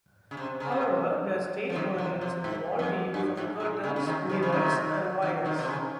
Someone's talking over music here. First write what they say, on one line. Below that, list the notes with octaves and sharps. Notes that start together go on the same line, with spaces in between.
However, their stage versions involved the use of curtains, mirrors and wires.
C#3
C3
C#3
C3
F3
C3 D#3
C3
C3
G#2
F2
G2
G#2
A#2
C#3
C#3
C3 D#3
C#3 F3
C#3
C3 D#3
C3 D#3
C3 D#3
C3
C#3